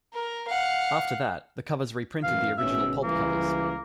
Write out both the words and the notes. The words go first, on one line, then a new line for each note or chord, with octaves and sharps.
After that, the covers reprinted the original pulp covers.
A#4
F5 F#5
F#2 E3 F5
G#1 B2 C#4 E5
C#2 E3 G3 A#3